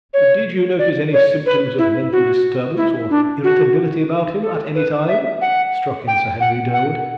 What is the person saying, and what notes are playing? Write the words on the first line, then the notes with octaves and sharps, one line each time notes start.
"Did you notice any symptoms of mental disturbance or irritability about him at any time?" struck in Sir Henry Durwood.
C#5
D5
C#5
B4
E4
F#4
E4
D4
F#4
A4
B4
E5
F#5
G5
F#5
F#5